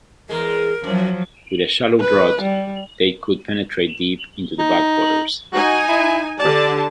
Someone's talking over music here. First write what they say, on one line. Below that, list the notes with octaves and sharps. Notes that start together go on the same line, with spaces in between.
With a shallow draught, they could penetrate deep into the back waters.
E2 G#3 A#4
F#2 F3 F#3
B4
G3
D#4
D#4 F#4 G#5
E4
D3 G4 D5 A5